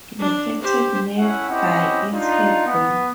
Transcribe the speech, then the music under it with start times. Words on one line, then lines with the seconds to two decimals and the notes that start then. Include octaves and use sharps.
Located nearby is Hebron.
0.19 D4
0.62 G4 C5
1.18 A3 C#4 E4 E5 F#5
1.50 C4 C#4 E4 G4 D#5 F#5
2.12 D4 D#4 F4
2.67 B3